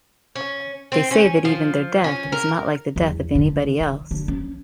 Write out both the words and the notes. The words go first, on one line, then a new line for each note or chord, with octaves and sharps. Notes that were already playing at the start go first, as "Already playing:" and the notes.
They say that even their death is not like the death of anybody else.
C#4
C4
C#4
F3
C#4
A#4
E2
D3
D#3
D3
C#4